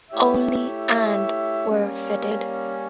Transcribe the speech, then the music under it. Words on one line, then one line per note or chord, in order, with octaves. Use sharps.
Only and were fitted.
A3 E4 G4 C#5 E5
G3 A#3 C#4